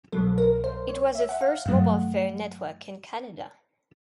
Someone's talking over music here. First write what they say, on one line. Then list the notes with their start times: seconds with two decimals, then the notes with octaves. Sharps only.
It was the first mobile phone network in Canada.
0.12 C2 B2 F#3 A4
0.38 A#4
0.64 C5
0.89 C#5
1.15 E5
1.29 F#5
1.41 F5
1.66 G2 D#3 F#3 A3 F#5